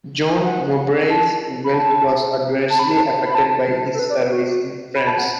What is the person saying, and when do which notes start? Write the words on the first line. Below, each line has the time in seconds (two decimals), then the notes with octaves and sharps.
John Mowbray's wealth was adversely affected by his service in France.
0.44 F#5
1.09 A5
1.64 B5
1.74 A5
2.70 A5
2.79 B5
2.88 A5
3.25 B5
3.35 A5
3.94 A4
3.99 B4
4.10 D5
4.21 B4
4.31 F#4
4.95 B5
5.07 A5
5.19 F#5